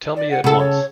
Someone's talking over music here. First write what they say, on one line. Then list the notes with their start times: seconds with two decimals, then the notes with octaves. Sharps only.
Tell me at once.
0.17 D5
0.31 F#5
0.44 C#3 A4 F#5
0.59 C#5